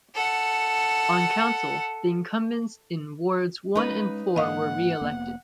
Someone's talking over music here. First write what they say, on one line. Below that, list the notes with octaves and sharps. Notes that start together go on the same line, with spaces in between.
On Council, the incumbents in wards one and four were re-elected.
A4 F#5
G#3 B3 C#4 D#4 B4
G#2 E3 A#3 D#5 F5 F#5 D#6
F1 A#3 B3